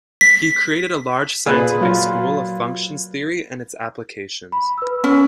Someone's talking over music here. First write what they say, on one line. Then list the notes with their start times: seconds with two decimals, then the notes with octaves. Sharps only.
He created a large scientific school of functions' theory and its applications.
0.21 B6
1.46 A#2 G#4 B4
1.81 F#3 F4
4.52 B5
4.78 B4 E6
5.04 C#4